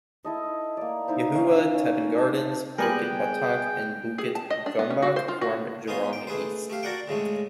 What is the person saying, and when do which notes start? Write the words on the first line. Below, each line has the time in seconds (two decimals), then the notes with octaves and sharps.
Yuhua, Teban Gardens, Bukit Batok and Bukit Gombak formed Jurong East.
0.24 E4 A4 D#5
0.77 A#3 D5
1.08 D#4 E4 C5
1.34 C#4 F5
1.74 C#4
2.18 C5 A5
2.78 G3 B3 G#4 A#4 G5 G#5 F#6
4.18 G#4
4.35 A5
4.50 D#5
4.66 D4
4.79 B3
4.90 C#4
5.02 F#4
5.16 C5
5.28 F4
5.41 F#4
5.88 B3 C#4 D#4 F4 C6
6.13 G5
6.27 A3 G#4 B4 C5
6.70 A3 G4 F5
6.83 D4 F#4 A#4 D5 F#5 G5
7.08 A2 C#3 G#3 A3